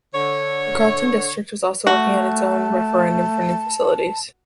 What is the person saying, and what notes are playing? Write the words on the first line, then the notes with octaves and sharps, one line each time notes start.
The Carlton district was also working on its own referendum for new facilities.
D3 C#5
A3 F#4 A5